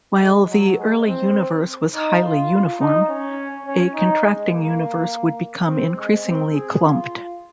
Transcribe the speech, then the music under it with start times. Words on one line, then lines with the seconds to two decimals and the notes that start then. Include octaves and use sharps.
While the early universe was highly uniform, a contracting universe would become increasingly clumped.
0.21 G#3
0.49 F#3
0.78 G#3
1.07 C4
1.94 D#4
2.22 F4
2.80 D#4
3.09 C#4
3.66 C#4
3.94 D#4
4.24 G#3
4.52 A#3
5.67 C4
5.97 G#3
6.24 C4
6.53 G#4
6.83 F4